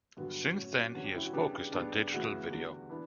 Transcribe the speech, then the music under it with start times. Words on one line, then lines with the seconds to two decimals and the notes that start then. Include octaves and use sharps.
Since then he has focused on digital video.
0.17 G2 D3 F#3 B3 F#4
0.55 A2 F#3 C#4
0.94 E2 D3 F#3 C#4 F#4
1.04 G4
1.15 E4
1.24 F#4
1.33 E2 C#3 G3 B3 D4 G4
1.73 C#3 G3 B3 D4
2.12 D2 C#3 E3 F#4
2.51 E2 D3 G3
2.89 E3 B3 D4 E4